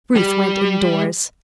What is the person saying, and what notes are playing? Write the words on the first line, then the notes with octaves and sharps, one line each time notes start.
Ruth went indoors.
G3